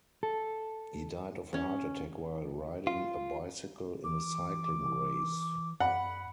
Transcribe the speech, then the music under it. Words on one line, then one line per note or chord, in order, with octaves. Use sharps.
He died of a heart attack while riding a bicycle in a cycling race.
A4
C#4
F4
E3 D6
F#2 F#5 B5